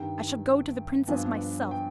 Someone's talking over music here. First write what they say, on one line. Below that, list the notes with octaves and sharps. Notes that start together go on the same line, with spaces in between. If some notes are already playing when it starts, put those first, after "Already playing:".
I shall go to the princess myself.
Already playing: G2 D#3 G3 G5
G2 F3 B3 D4 G#5
G5